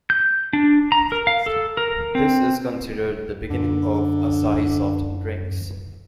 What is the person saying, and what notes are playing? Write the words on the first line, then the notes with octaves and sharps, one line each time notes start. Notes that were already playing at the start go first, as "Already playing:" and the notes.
This is considered the beginning of Asahi Soft Drinks.
G6
D4
A#5
A#4
F5
A4
A#4
C4
F#2 D3